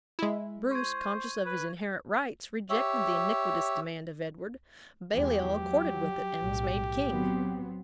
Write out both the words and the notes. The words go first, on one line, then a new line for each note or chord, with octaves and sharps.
Bruce, conscious of his inherent rights, rejected the iniquitous demand of Edward; Baliol accorded with it, and was made king.
G#3 E4
C5 C#6 G#6
B4
G4 C#5 E5
E2 E3 G#3 G4
F#3
B1 A2
F#3 B3 C4